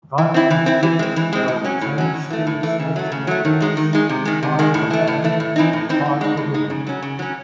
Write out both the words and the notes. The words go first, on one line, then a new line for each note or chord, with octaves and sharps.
Vikingskipet held ten speed skating events, five for men and five for women.
E3
C4 E4
E3
C4 E4
E3
G#3 C4
E3
G#3 C4
A2
F#3 C#4
A2
F#3 C#4
A2
E3 A3
A2
E3 A3
C#3
F#3 A3
C#3
F#3 A3
D#3
G#3 D#4
D#3
G#3 D#4
C3
D#3 G#3
C3
D#3 G#3
A2
E3 A3
A2
E3 A3
A2
E3 C4 D#4
A2
E3 C4 D#4
A2
G#3 D#4
A2
G#3 D#4
C#3
F#3 C#4
C#3
F#3 C#4